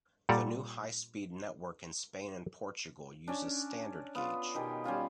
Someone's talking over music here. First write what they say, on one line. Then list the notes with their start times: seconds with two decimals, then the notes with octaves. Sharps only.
The new high-speed network in Spain and Portugal uses standard gauge.
0.29 A#2 G3 A4 D5 F#5 A#5
3.28 C#4 D4
4.15 B3 F4
4.55 B2 D#3 G4 G#5
4.84 G3 C#4 F4 F#4